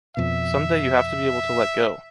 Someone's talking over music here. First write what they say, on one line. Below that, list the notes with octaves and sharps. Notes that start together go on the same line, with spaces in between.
Someday you have to be able to let go.
F2 B2 E5